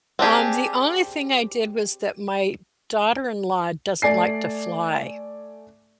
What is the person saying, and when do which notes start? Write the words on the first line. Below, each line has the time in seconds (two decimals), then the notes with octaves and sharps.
Um, the only thing I did was that my daughter-in-law doesn't like to fly.
0.19 C4 D4 G4 G#4
4.02 A3 D5 G#5 C7